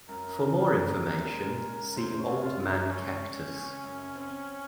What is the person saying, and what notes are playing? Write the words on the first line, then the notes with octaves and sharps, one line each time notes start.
For more information see Old-Man Cactus.
F#2 A#4
C#3
C#3
G#3
G#3
C#3
F#2 C5
C#5
F#2
F4
C#3 F4
D#4
G#3 C#4
C#3
C#3
F#2
C4